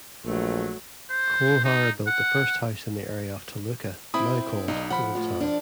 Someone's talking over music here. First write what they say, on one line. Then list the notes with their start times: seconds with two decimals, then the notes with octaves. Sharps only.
Colehower built the first house in the area of Toluca now called Old Town.
0.25 A#1 F#3 A3
1.10 C5
1.64 D#4
2.07 F#5
4.14 C4 E4 B5 D#6
4.68 B1 D#4
4.90 F3 F#5 B5
5.15 A2 F3
5.40 F3 D4